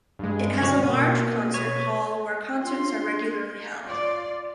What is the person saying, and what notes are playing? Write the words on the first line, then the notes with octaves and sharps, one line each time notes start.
It has a large concert hall where concerts are regularly held.
G2 G#3
D3 F#4 C#5
B2 A#3 D#7
B4 C#5
D4 F4 G4 C6
F4 D5